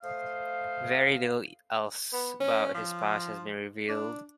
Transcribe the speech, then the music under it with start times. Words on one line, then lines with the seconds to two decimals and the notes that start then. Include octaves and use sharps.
Very little else about his past has been revealed.
0.02 A3 C5 D#5 F5
2.13 B3
2.40 C#4
2.75 F3
3.89 D4